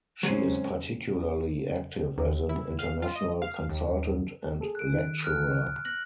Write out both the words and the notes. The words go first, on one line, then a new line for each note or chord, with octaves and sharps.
She is particularly active as an international consultant and lecturer.
F#3 G#3 C4 C#4
D#2
E4
F5
F4
D#5
F5
D#2
G#4 A4
F#6 D7
D#3
F6 F#6
F#6 A#6 F#7